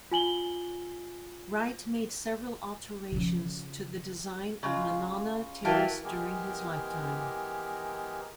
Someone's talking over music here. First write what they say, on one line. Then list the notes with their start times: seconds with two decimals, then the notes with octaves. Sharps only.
Wright made several alterations to the design of Monona Terrace during his lifetime.
0.11 F4 G#5 F#7 G7
3.12 C#3 F3
4.63 C#3 G#3 F4
5.65 E3 F#4 A#4 F5 G5 A5
6.04 E3 G#3 B3 G4 G#4 A#4